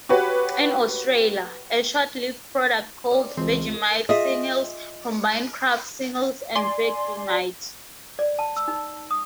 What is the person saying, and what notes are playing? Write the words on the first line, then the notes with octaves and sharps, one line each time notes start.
In Australia, a short-lived product called Vegemite Singles combined Kraft Singles and Vegemite.
F#4 G4 B4 C#5
C#4 D5
C#2 E3 F3 G#3 C4
F4 G#4 D#5 E5
D5 G#5 C6
D5
A5
E6
D#4
D#6